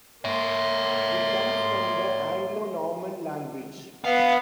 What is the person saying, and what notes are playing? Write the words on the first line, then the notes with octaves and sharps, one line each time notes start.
It comes from the Anglo-Norman language.
A#3 C#5 E5 C6
B3 B4 F5